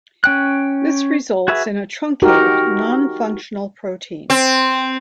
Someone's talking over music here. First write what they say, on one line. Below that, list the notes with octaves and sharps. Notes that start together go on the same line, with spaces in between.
This results in a truncated non-functional protein.
C#4 G5 F#6
F#4 G#4 B4 E5
D#4 F#4 G4 A#4
C4